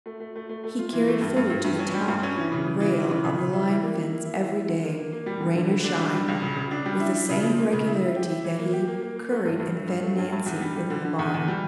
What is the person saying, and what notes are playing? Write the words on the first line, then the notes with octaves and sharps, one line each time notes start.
He carried food to the top rail of the line fence every day, rain or shine, with the same regularity that he curried and fed Nancy in the barn.
A3
A3
A3
A3
A3
F4
E3
A3
G2
G2
G2
G2
C#4
G3
G2
C#4
E3
C#3
C#3
E3
E3
C#3
C#3
C#3
E4
E3
A#3
E4
A#3
E4
E4
E4
D3
A#3
A#3
A#3
G3
D3
D3
D3
D4
G3
G3
C#2
C#3
C#3
D4
G3
E4
E4
C#3
F3
A#3
C#3
E4
E4
G4
E4
E3
A#3
G4
A#3
A#3
A#3
A3
G2
G2
A3
G2
A3
G2
G2
E2
G3
G3
D3
D3
E2
E2
G3